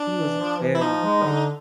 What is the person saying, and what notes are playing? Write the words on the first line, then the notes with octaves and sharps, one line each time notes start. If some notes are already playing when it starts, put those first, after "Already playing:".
he was very, like,
Already playing: D4
E3
F3
E3
E4
F3 D#4
G#3
D3